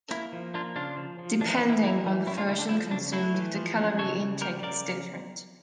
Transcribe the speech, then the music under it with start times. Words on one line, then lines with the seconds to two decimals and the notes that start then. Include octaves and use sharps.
Depending on the version consumed the calorie intake is different.
0.11 A#3 E4
0.33 F3
0.54 A#3 D4 F4
0.75 C#3 D4 F4
0.97 F3
1.19 F3
1.41 E3 D4
1.55 D4 F4
1.62 E3
1.69 E4
1.83 A#3 E4
2.06 E3
2.27 C#4 E4
2.38 D4 F4
2.48 D3 E4
2.59 D4
2.69 F3 E4
2.91 C#3 D4
3.12 A3 E4
3.34 E3
3.56 F3
3.77 C#4
3.99 C#3 A4 C#5
4.21 C#3
4.41 G3 G4 A#4
4.63 C#3 A#4 D5